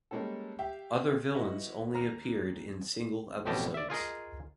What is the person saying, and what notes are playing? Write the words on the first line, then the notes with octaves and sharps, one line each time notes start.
Other villains only appeared in single episodes.
G3 G#3 A#3 C#4 A4
G4 E5 F5 G5
E4 F#4 B4 D#5 F#5
D#2 A#5 F6
A1 F2 B2 G4 D#5 A5
D5 E5
F4 G#4 A#4 D#5